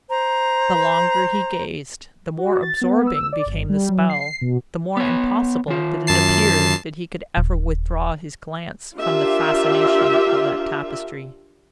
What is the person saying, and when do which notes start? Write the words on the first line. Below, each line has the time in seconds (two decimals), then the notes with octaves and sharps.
The longer he gazed the more absorbing became the spell--the more impossible did it appear that he could ever withdraw his glance from the fascination of that tapestry.
0.10 C5 A#5
2.38 F#4
2.63 A6
2.81 B3
3.07 E6
3.33 D5
3.46 G1
3.69 G3
3.89 F#3
4.10 C7
4.41 B2
4.97 B3 C#5
5.68 D#3 F4
6.07 F#2 A5 C7
7.37 D#1
8.96 D4 F4 G4 A#4 E5